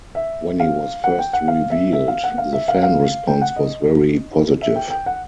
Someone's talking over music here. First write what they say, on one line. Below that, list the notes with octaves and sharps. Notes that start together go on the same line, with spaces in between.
When he was first revealed, the fan response was very positive.
E5
F5
F#5
G5
F#5
F5
E5
E5
F5
F#5
F5
E5
F5
F5
G5
F#5
D#5
E5
G5
G5
F#5